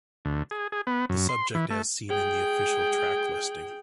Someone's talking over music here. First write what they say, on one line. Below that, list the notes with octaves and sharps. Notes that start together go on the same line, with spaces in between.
The subject as seen in the official track listing.
D2
G#4
G#4
B3
F#2
C6
E3
A3
G#4 G5